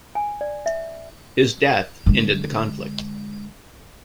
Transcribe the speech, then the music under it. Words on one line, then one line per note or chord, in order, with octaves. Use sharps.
His death ended the conflict.
G#5
D5
E5
D3 G#3